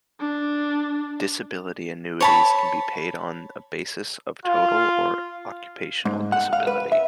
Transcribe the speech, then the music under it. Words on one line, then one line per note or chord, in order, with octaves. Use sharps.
Disability annuities can be paid on the basis of total or occupational disability.
D4
C#5 A5 B5
F4
G#2
F#5
F5
B4
E5